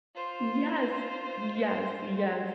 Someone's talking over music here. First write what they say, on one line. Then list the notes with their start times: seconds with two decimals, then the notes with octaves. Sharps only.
Yes, yes, yes.
0.15 F4 C5